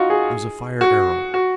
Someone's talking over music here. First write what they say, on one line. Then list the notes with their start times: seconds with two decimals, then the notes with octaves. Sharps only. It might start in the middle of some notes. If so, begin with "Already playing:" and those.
It was a fire-arrow.
Already playing: D#4 F4 F#4
0.10 G#4
0.81 F#4
1.34 F#4